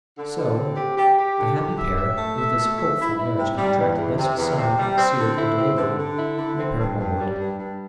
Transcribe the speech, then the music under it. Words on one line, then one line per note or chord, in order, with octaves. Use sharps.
So, the happy pair, with this hopeful marriage contract thus signed, sealed, and delivered, repair homeward.
D3
D3
C4
G4
G4
G4
D3
G4
E5
E5
A3
E5
A3
E5
E4
E4
C3
G3
E2
E2
C3
E2
C3
G3
C4
D3
E4
C4
D3
D3
E4
D3
C4
G2
G2
G3
G2
G2